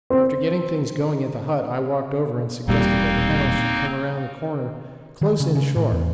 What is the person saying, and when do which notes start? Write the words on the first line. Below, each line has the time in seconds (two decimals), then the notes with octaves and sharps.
After getting things going at the hut, I walked over and suggested that Pennell should come round the corner close in shore.
0.10 C4
2.68 E1 A#2 G3 A#3 C4 D#4
5.22 D#3
5.40 C#3
5.55 C#3
5.76 A2
5.92 E2